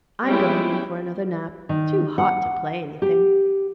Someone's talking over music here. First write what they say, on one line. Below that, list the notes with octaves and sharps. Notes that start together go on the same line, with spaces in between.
I'm going in for another nap: too hot to play anything.'
G3 G#3 B3 C#4 E4 G5
D#3
F#5
G4